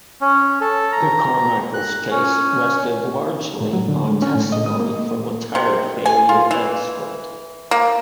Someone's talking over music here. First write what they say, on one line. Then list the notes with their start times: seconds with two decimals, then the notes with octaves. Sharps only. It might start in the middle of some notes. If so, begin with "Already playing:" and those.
The Carmichaels' case rested largely on testimony from a tire failure expert.
0.21 C#4
0.61 A4
0.92 A#5
1.74 F#6
2.10 C#4
3.60 A2
3.73 F#3
3.88 D3
4.08 G#3
4.22 C#4
4.35 A2
4.52 D#5
4.66 D#6
4.80 A#3
5.55 C3
6.06 G#5
6.29 F4
6.51 E3
7.71 A#3